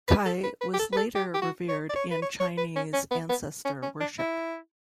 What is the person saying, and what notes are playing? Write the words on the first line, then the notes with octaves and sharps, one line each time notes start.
Cai was later revered in Chinese ancestor worship.
B4
A4
B4
B4
G4
A4
B4
A4
G4
G4
F#4
C#5
D5
C#5
B4
C#5
C#5
B4
C#4
C#4
B3
B3
C#4
C#4
D4
E4